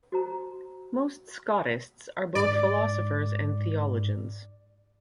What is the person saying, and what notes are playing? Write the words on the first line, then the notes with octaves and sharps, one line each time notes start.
Most Scotists are both philosophers and theologians.
F#4 C5 A#5
G#2 D5